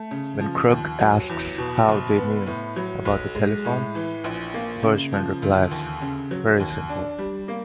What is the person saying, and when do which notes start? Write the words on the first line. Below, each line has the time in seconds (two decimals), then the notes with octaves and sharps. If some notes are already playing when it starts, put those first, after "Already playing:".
When Krug asks how they knew about the telephone, Bergman replies, Very simple.
Already playing: A3
0.11 C#3
0.40 F3
0.70 D#2
0.99 F#3
1.29 E2
1.58 B2
1.88 F#1
2.18 B3
2.46 A2
2.76 F#3
3.05 B1
3.35 G#3
3.65 A2
3.95 E3
4.24 A#1
4.54 A#3
4.83 C#3
5.12 F3
5.42 D2
5.71 D#2
6.02 C#3
6.31 F#3
6.60 D#2
6.89 D4
7.19 G3
7.48 A#3